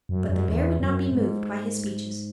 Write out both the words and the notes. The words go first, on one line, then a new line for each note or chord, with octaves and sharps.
But the bear would not be moved by his speeches.
F#2
F#2
E2
F#2
G#2